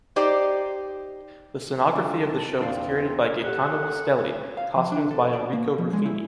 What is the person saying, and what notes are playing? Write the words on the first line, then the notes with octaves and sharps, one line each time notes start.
The scenography of the show was curated by Gaetano Castelli, costumes by Enrico Ruffini.
D#4 G4 C5 D5
D3 A#3 F4
A5
E2 C4 D4 D5 F5
G4 A4 C#5 F#5
F5
F3
D4
A4
D5
A#3
F3
G#3
E4